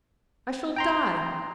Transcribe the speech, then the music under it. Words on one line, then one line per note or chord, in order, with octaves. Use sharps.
I shall die!
G5 A#5 C6